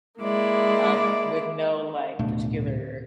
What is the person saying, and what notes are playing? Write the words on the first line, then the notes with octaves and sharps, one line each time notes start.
um, with no, like, particular,
G#3 A#3 E4 D5
D1 B2 A3 D4